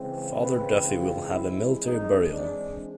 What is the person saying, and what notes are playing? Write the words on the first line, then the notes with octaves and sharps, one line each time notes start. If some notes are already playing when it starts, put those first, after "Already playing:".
Father Duffy will have a military burial.
Already playing: C#3 E3 G#3 C4
B4
F4
E3 G#3 C4 E4
D#4
D4